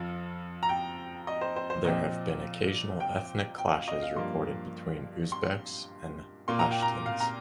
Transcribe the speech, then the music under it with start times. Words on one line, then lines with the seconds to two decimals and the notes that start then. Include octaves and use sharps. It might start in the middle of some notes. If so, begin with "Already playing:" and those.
There have been occasional ethnic clashes reported between Uzbeks and Pashtuns.
Already playing: F2 F3
0.63 A#5
0.69 G5
1.27 D#5
1.41 C5
1.56 C5
1.70 C5
1.85 A#2 F3 C4 D#5
3.00 G5
3.58 G5
3.73 F5
3.88 D#5
4.02 F5
4.16 G2 F3 A#3 C6
5.32 C6
6.48 A#2 A#3 C6
6.59 A#5
6.71 G5
6.82 A#5
7.06 F5
7.20 A#5